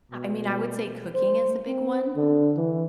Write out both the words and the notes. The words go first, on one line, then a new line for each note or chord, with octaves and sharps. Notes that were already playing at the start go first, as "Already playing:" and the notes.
I I mean, I would say cooking is the big one
B2
C5
C4
D3
E3